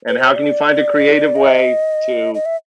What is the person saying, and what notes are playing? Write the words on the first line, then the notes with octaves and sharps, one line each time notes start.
and how can you find a creative way to
B4
C5
C#5
D5
D#5
D#5
E5